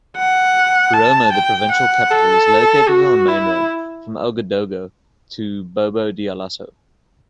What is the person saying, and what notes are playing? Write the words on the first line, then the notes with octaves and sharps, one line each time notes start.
Boromo, the provincial capital, is located on the main road from Ouagadougou to Bobo-Dioulasso.
F#5
A5
G5
F#5
A4
F#4
E4